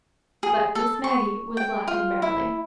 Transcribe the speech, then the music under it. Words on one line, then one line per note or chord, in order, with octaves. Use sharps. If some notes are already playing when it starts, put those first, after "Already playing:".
But Miss Maggie was laughing merrily.
G#4
A4
C#6
G5
F4
E4